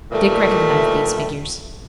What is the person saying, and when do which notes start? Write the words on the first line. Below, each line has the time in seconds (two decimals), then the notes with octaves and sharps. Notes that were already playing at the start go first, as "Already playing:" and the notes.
Dick recognized these figures.
0.12 A#2 D#3 E3 G3 A3